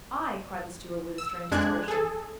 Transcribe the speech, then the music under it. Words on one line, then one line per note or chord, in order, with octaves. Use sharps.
"I," cried the steward with a strange expression.
E6
F2 G#3 D4 F#6 G#6
G#4 A4